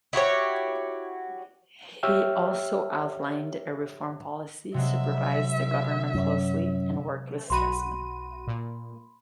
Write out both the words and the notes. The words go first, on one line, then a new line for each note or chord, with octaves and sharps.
He also outlined a reform policy, supervised the government closely, and worked with statesmen.
E4 F#4 G4 C#5
G4 C#5 E5 G5 E6 F6
C3 F#3 G#3 E5
F#2
B1 F#4 B5 C6 D#7
A#2